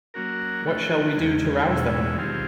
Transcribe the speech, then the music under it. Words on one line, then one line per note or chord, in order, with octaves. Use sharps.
What shall we do to rouse them?
F#3 A#3 C#4 F#4 A#4
F3 A3 C#4 F#4
E2 C#3 F3 G#3
E2 B2 G#3 C#4 E4
D#3 G3 C4 F4 G#4